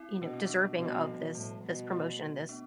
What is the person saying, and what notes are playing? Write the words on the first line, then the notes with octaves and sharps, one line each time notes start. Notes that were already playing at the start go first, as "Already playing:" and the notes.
you know, deserving of this this promotion, this,
Already playing: C4 E4
B2 D4
C4
B3 D4
B2 C4
A3
G3
F3
A2 G3
B2
A3
B3 D4